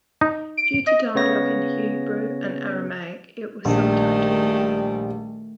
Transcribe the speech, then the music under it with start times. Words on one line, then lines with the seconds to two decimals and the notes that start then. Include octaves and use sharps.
Due to dialogue in Hebrew and Aramaic, it was subtitled.
0.21 D#4
0.57 D7
0.87 D#5
1.15 C#3 B3 C#5 A#6
3.65 A#1 D#3 G3 A3